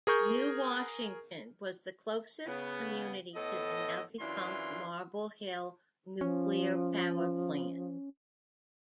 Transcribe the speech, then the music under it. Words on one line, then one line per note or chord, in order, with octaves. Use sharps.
New Washington was the closest community to the now-defunct Marble Hill Nuclear Power Plant.
G#4 A#4 C#6 G6
C#3 B3
A2 B3 A4 D#5
F#2 E3 D4 E4 F4 C6
F3 C#4